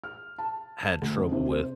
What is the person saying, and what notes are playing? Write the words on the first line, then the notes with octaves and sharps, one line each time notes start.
had trouble with,
F6
A5
D2
F2
C3
C5